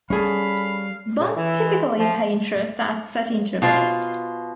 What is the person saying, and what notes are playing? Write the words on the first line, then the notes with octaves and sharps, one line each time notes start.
Bonds typically pay interest at set intervals.
G3 C#4 G#4 A4 F5 B5
A#2 C#3
E3 E4
G#3
F3 A3
B2 F4 C5